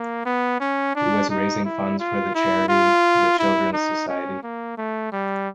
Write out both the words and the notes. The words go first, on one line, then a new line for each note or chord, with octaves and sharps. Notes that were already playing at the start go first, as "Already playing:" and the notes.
He was raising funds for the charity The Children's Society.
Already playing: A#3
B3
C#4
D4
D#4
E4
F4
E4
F4
E4
D#4
C#4
A#3
A3
G3